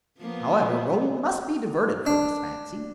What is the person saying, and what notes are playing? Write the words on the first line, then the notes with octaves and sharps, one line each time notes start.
However, Raoul must be diverted from this fancy.
F3 A#3 B3
D4